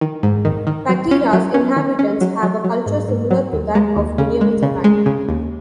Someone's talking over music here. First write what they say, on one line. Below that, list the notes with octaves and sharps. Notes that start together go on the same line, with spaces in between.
Patera's inhabitants have a culture similar to that of medieval Japan.
D#3
G#2
D#3
D#3
F#3
C#4
F#3
C#4
D#3
C#4
F#3
F#3
F#3
G#2
G#2
F#3
D#2
G#3
D#2
C#3
G#3
C#3
G#3
C#3
D#2